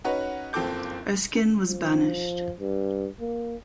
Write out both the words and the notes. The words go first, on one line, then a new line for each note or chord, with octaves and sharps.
Erskine was banished.
C#4 D#4 F#4 B4 C#5
F#1 F3 C4 A4 D6 G6
F3
G2
A#3